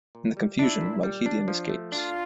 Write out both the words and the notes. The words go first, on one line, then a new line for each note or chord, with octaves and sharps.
In the confusion, Moghedien escapes.
A#2
G3
D4 E4
A#2
G3
D4
F3
A3
D4 F4